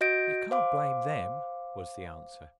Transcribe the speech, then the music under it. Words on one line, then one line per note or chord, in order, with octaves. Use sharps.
"You can't blame them," was the answer.
F#4 D#5 G6 A#6 D7
C5 F5 D6